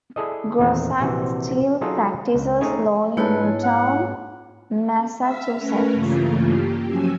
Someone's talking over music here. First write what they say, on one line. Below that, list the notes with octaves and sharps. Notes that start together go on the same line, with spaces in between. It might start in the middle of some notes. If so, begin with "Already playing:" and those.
Grossack still practices law in Newton, Massachusetts.
E4 G#4 A4 D5 D#5
E2 A#2 D#3 A3 A#3 C4
A#1 C3 E3 F#4
F#3 D#4 F4 G#4 A4
C#2
A3 C#4 D#4 G#4 C#5 G#5
G#2 G#3 A#3 B3 D4 E4 B4 C#5
F#5
E5 F5 B6
A3 C#4 A#4 B4
G2 C#3 E3 A3 A#3 F4
A#3 G4
F3 F#3 C#4 G#5 E6